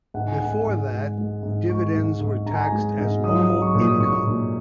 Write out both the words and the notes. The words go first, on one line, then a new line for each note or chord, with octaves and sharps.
Before that, dividends were taxed as normal income.
G#2 F#5
G#5
G#2 F#5
F#5
G#2
G#3
G#3
G#2
G#3 C#6
G#2
G#2
G#2 A#5
G#5
A#5
G#3
G#2
F#3 D#6
D#6
F#3
C#6
A#2
D#6
A#2 C#6
A#2